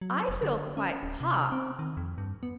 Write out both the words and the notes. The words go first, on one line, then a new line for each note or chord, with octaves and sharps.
I feel quite hot.
F#3
F1
D3
C#4
D1
C3
C4
D#3
F2
G2
B3